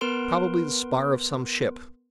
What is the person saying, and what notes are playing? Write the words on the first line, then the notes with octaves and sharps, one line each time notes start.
"Probably the spar of some ship."
B3 A#4 B4 C6 D7